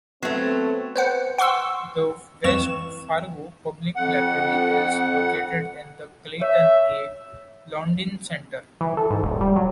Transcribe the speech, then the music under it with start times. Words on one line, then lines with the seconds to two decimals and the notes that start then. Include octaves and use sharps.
The West Fargo Public Library is located in the Clayton A. Lodoen Center.
0.22 F#3 A3 B3 C4 F#5
0.96 B4 C5 F#5
1.38 F#5 C6 C#6 E6
2.44 F2 E3 C#6 E7
3.96 F2 F#5
6.42 C#5 E5
8.81 E3
8.97 A4
9.10 G#2
9.23 D#1
9.41 G3
9.56 F#3